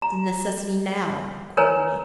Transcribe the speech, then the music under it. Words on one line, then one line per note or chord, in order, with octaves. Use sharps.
It's a necessity now, according to me.
A#5
A#4 B4 C#5 G#5 A#5